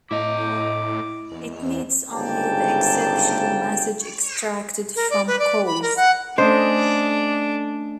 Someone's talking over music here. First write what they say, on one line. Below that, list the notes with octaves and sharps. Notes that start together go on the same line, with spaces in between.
It needs only the exception message extracted from "cause".
A2 E4 D#5 D6
E2
E2
G1 G#2 C#3 G4 G5 A5
A#4
D5
B4
D5
B5
A#4
F#5
A3 C#4 D4 C5 D#5